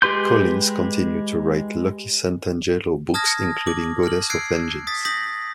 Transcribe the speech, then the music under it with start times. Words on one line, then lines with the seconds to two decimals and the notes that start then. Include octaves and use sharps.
Collins continued to write Lucky Santangelo books, including "Goddess of Vengeance".
0.02 G#3 G4 B4 C6 G6
3.14 A5 D#6 F6 G#6 A#6
3.66 D6 F#7
4.03 F6 F#7
4.29 E6 F#6 G#6 C7 D7
4.87 D#6 A6 B6
5.05 D#6 G6 A#6 B6 F#7